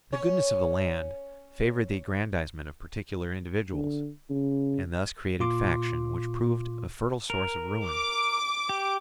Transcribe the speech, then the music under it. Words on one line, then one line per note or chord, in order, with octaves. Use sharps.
The goodness of the land favoured the aggrandizement of particular individuals, and thus created faction which proved a fertile source of ruin.
C#4 C#5
D3
C#3
A#2 F4 C6 D6
A#4
D6
G4